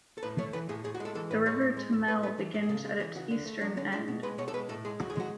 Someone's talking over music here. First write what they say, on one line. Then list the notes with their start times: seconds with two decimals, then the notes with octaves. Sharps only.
The River Tummel begins at its eastern end.
0.18 A4
0.23 A2 B4
0.38 A3 C#5
0.53 E3 B4
0.69 A2 G#4
0.84 A2 G#4
0.94 F#4
1.00 G#3 A4
1.15 E3 A4
1.31 A2 B4
1.46 G#3 C#5
1.61 A2
1.77 G#3
1.92 A2
2.07 A2 B4
2.23 A3 B4
2.38 E3 A4
2.53 A2 A4
2.63 G#4
2.69 C#3 A4
2.85 G#3
3.00 E3 G#4
3.15 C#3 F#4
3.31 D3
3.46 A3
3.61 F#3 D4
3.77 D3 C#4
3.92 G#3 D4
4.08 B2
4.23 G#3 B4
4.38 B2 C#5
4.48 A4
4.54 G#3 B4
4.69 A2 A4
4.85 G#3 G#4
5.00 A2 F#4
5.10 G#4
5.16 G#3 F#4